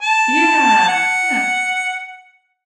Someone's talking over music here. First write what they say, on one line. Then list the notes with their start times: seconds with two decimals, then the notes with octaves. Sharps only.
Yeah, yeah.
0.02 A5
0.88 F#5